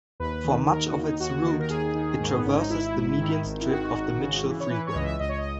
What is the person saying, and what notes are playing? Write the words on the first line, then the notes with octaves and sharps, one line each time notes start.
For much of its route, it traverses the median strip of the Mitchell Freeway.
D#2 B4
D#3
D#2 A#4
F#4
D#2
D#4
D#2 F#4
D#3
A#4
D#2 G#4
D#3
G#2
B3
G#1 C#4
D#4
G#1 E4
G#2
D#3
G#1
E4
D#3 F#4
G#1
C#3
E3
C#5
E3 B4
C#5
C#2 D#5
E5
C#2 D#5
C#5
D#5